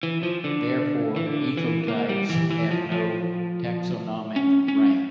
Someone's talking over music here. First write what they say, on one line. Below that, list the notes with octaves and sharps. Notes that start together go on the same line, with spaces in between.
Therefore, ecotypes have no taxonomic rank.
E3
F3
D3
E3
D3
E3
A#3
G3
E3
E3
F3
F3
C#4
C#4